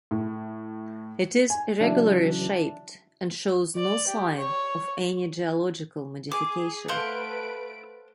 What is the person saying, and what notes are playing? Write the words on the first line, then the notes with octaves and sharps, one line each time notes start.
It is irregularly shaped and shows no sign of any geological modification.
A2
G#5
C#3 E3 F#3 D4 E5
D5
G4
C#5
G#4 D6
A3 B4 C5 F5 F#5 D7